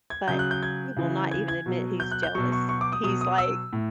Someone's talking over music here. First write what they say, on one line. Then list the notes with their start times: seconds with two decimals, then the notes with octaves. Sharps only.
but he will not even admit he's jealous. He's, like
0.10 G#6
0.28 C#3 F#3 G6
0.39 F#6
0.51 G6
0.63 G#6
0.97 C#3 E3
1.31 G#6
1.48 G#6
1.66 B2 F#3
2.00 G6
2.11 F#6
2.23 G6
2.35 B2 F#3 C#6
2.52 C#6
2.69 C#6
2.81 D6
2.92 D#6
3.03 B2 F#3 D#6
3.21 D#6
3.38 E6
3.73 A2